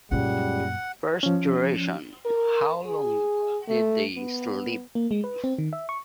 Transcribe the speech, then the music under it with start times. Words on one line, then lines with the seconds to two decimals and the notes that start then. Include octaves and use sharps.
First, duration - how long did they sleep?
0.11 C#2 F#2 A#2 G3 F#5
1.23 F3 C#4
2.25 A#4
2.87 G#4
3.69 A3
4.17 B3
4.95 A#3
5.11 G#3
5.24 B4
5.44 C4
5.58 D#3
5.73 E5
5.89 C#6